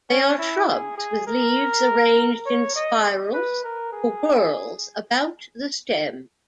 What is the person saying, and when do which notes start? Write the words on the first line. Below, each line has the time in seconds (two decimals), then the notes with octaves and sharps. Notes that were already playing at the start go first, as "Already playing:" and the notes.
They are shrubs with leaves arranged in spirals or whorls about the stem.
0.10 C#4
0.39 E4
0.69 G#4
0.98 G#4
1.27 A#4
2.46 C#5
2.76 D#5
3.34 B4
3.64 A#4
3.93 G#4